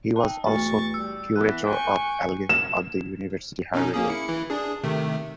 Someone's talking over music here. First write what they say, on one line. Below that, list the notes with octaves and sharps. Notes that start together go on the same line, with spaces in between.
He was also Curator of Algae of the University Herbarium.
D#4 G5 A5
E2 A3 C#6 A6
G3 E6
E3 B3 F#6
G5 G#5 C#6
E7
B2 C#4 D#4
A#3 C#4 G#4
E4 C#7
E3 E4
D4 G#4
C3 D#3 A3